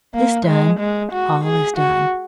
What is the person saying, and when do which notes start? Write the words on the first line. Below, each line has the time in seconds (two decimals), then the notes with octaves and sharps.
This done, all is done.
0.14 A#3
0.47 G#3
0.80 G#3
1.12 F#4
1.45 G#4
1.77 F#4